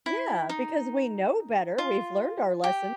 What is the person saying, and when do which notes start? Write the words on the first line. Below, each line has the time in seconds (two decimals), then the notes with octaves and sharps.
Yeah, because we know better, we've learned our lessons
0.06 E4
0.49 D#4
1.78 F4
2.64 G4